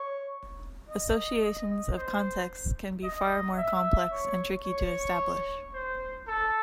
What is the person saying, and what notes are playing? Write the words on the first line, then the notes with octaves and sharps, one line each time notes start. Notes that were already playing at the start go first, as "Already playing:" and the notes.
Associations of contexts can be far more complex and tricky to establish.
Already playing: C#5
D#5
D#5
C5
D#5
E5
C#5
C#5
C5
A4